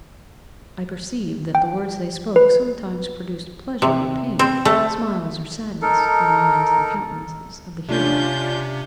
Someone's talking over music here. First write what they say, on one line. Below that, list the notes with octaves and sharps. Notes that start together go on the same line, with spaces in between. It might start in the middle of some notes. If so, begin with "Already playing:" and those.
I perceived that the words they spoke sometimes produced pleasure or pain, smiles or sadness, in the minds and countenances of the hearers.
G5
B4
C3
C4
A3
D#4 A4 A#4
C3 C#4 D4 F4 G6